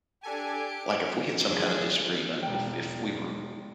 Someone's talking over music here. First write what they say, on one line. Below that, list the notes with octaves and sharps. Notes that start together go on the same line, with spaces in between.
like, if we had some kind of disagreement, if if we were
D4 G4 A4 G#5
D7
F2 D3 F3 G#4
E1 G5